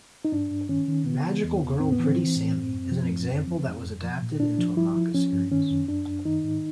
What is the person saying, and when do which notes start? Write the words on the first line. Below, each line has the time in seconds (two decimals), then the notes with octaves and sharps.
"Magical Girl Pretty Sammy" is an example that was adapted into a manga series.
0.25 D#4
0.32 G2 D4
0.51 G2
0.69 D#3 C#4
0.88 D#3
1.06 C#3 B3
1.24 E3
1.44 E2
1.62 E2
1.80 A2 C4
1.92 B3
1.99 E3 C4
2.18 E3
2.36 A2
2.55 F#2
2.73 F#2
2.92 F3
3.11 F#2
3.29 F2
3.47 F3
3.66 F2
3.84 F2
4.03 F3
4.22 A#2
4.40 A#2 D4
4.58 F3
4.77 F3 E4
4.96 F3
5.14 F3 C#4
5.32 G2
5.51 D#3 C#4
5.70 F#2
5.89 F#2 D4
6.07 F#2
6.25 D#3 D#4
6.44 G#2